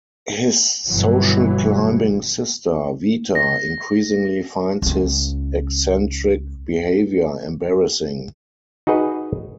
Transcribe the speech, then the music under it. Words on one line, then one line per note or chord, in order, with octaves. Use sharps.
His social-climbing sister, Veta, increasingly finds his eccentric behavior embarrassing.
G1 B2 E3 F#3
A#6
C#2 C#4
D#4 F#4 G#4 B4 D#5